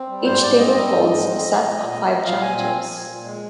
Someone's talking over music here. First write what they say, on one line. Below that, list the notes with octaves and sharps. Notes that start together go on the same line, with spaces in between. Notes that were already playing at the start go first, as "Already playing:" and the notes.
Each table holds a set of five challenges.
Already playing: C4
G3
G#2 C5
G#2 D5
C4 D#5
G3 D#5
G#2
G#2
C4
F3
A#2
A#2 D#5
C4
F3
A#2 F5
A#2 G#5
C4 G#5
F3
A#2
A#2
G#3